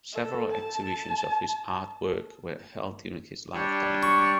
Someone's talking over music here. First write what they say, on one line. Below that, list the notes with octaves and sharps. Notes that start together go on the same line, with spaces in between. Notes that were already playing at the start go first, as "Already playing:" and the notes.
Several exhibitions of his artwork were held during his lifetime.
A4
A5
G3 D4 C#5
C#6